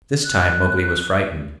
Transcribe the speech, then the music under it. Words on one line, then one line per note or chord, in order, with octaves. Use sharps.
This time Mowgli was frightened.
F#6